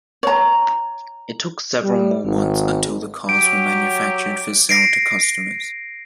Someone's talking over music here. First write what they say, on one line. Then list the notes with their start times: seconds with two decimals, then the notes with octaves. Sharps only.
It took several more months until the cars were manufactured for sale to customers.
0.23 C#5 A#5
1.83 G3
2.25 G#1
3.29 F#3 G4 D7
4.69 A#6 C7 D7